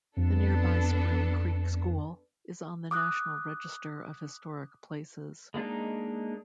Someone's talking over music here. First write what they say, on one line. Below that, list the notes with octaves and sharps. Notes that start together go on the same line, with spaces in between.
The nearby Spring Creek School is on the National Register of Historic Places.
F2 B3 D4 A4
D6 D#6 F#6
G#3 A#3 D4 D#4